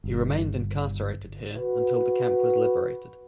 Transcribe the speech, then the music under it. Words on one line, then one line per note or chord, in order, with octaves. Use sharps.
He remained incarcerated here until the camp was liberated.
G1
F#4 B4